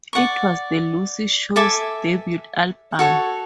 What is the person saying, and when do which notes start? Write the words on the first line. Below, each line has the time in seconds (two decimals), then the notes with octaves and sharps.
It was The Lucy Show's debut album.
0.13 D5 F#5 C#6
1.56 A4 E5 G#5 D6
2.99 F#4 A4 C#5